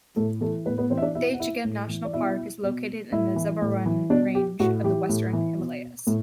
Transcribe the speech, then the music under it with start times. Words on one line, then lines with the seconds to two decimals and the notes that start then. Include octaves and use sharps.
Dachigam National park is located in the Zabarwan Range of the western Himalayas.
0.16 A2 A3 A4
0.41 E3 A3 A4
0.65 A2 B3 B4
0.78 B3 B4
0.90 E3 C4 C5
0.98 E5
1.02 D4 D5
1.15 B2 E4 E5
1.33 F#5
1.40 E4 E5
1.65 A2
1.88 E3
2.05 D5
2.13 B2 E4 E5
2.63 B2
3.12 A2 E4 E5
3.36 E3
3.62 A2
3.86 E3
4.10 B2 D4 D5
4.35 G4
4.60 A2 F#4
4.84 E3 G4
5.09 A2
5.33 E3
5.58 B2
6.07 A2 A3